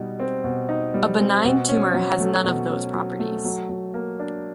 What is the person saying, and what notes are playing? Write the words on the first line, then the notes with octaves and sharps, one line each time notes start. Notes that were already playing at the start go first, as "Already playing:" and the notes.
A benign tumor has none of those properties.
Already playing: B2 G3 D#4
C4
B2
D#4
G3
C4
B2
C#4
F#3
A3
B2
C#4
F#3
A3
F#3
F#3
A#3
D4